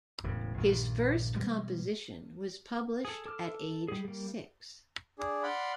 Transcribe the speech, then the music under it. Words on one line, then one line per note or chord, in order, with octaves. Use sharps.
His first composition was published at age six.
E1 A2 C#3
A#1 G2 D#3
B2 E3 G3 G#3
G#4 A4
A4 D6 F6
G3 G4 G#4
G3 A#3
D4 G#4
D5 F5 F#5 B5 C6